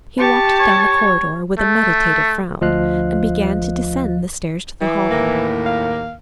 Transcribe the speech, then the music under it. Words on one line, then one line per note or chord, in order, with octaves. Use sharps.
He walked down the corridor, with a meditative frown, and began to descend the stairs to the hall.
G4 A5 C#6
C#5
A3
D2 F3 F4 D#5 F5 F#6
E3
D#2 A2 A#3
F5